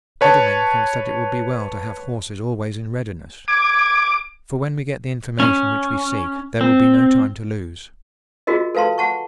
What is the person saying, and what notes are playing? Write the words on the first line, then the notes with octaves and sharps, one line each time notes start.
Godalming thinks that it will be well to have horses always in readiness, for when we get the information which we seek there will be no time to lose.
B4 C#5 A5
D6 G#6
C#4
C4
F4 F#4 G#4 A#4 D#5
A4 B4 F5 A5 C6
F#5 A5 C#6